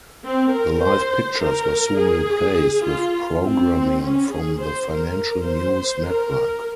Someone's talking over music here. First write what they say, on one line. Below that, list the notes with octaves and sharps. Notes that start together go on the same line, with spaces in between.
The live pictures were soon replaced with programming from the Financial News Network.
C4
A#4
C5
A#4
G#4
F4
C4
C#4
G#4
C5
A#4
C5
A#4